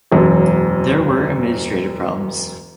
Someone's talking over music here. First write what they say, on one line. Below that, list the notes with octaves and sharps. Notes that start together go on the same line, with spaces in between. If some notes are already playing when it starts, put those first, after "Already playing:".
There were administrative problems.
E1 F#2